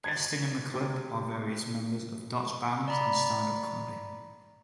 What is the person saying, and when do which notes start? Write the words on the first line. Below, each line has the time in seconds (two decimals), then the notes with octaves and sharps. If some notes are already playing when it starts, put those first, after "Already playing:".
Guesting in the clip are various members of Dutch bands and standup comedy.
0.04 G#6 A6
0.74 C3
2.88 D5 A#5 B5